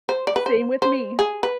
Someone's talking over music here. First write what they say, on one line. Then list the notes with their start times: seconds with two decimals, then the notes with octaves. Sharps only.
Same with me.
0.09 C5
0.27 D5
0.36 B4
0.46 C5
0.82 C5
1.19 G#4
1.43 B4